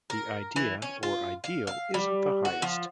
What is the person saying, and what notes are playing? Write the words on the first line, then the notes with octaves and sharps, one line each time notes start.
The idea, or ideal, isn't the highest.
A#4
E3
C#4
F4
F5
F5
G3
F#4
F3